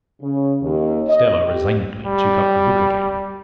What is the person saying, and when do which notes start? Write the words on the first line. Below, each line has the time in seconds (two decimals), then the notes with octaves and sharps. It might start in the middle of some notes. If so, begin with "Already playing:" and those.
Stella resignedly took up the book again.
0.21 C#3
0.62 D#2
1.08 D#5
1.44 G4
2.06 G3